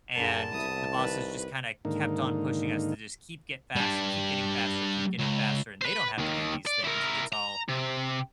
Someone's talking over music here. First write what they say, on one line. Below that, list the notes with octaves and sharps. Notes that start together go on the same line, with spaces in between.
and the bosses just kinda kept on pushing us to just keep get fast keep getting faster, keep getting faster, and they don't have to do these things, it's all,
F#2 D3 G#4 A#4 A5
C2 B3 E4 D#6
D#3 B4
G#2 D3 D#3 A#3 D#4
G3 D4
C#2
B4 C5
D#2 D#3
D5
E4 A#4
A#5
C3